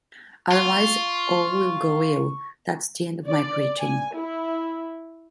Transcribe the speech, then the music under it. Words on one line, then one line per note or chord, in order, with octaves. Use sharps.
Otherwise, all will go ill. That's the end of my preaching.
F4 C#6
D5
G#5
E4